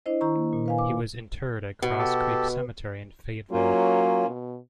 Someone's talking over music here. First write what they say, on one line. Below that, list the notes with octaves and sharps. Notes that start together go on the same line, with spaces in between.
He was interred at Cross Creek Cemetery in Fayetteville.
D4 E4 C5 D#5
D#3 E4 A#5 C#6
A#3
A#2
B4 F5 G#5
D6
B2
G4 A4
F#3 A#3 C#4 F4
B2